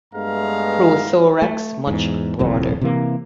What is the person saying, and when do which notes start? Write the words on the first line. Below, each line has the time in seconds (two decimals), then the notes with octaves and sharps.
Prothorax much broader.
0.14 G2 G#3 A3 B3 F5 A#5
1.42 A3
1.87 E2 G#2
2.39 D#1 C2 F2 A2
2.81 C3 E3 A#3